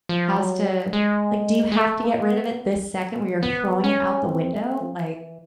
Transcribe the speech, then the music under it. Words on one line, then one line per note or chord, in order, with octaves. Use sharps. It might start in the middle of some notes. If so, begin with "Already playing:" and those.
has to like, "Do you have to get rid of it this second where you're throwing it out the window?" Like,
F3
F#3
G3
G#3
G#3
A3
A#3
B3
B3
C#4
C4
A3
F3
E3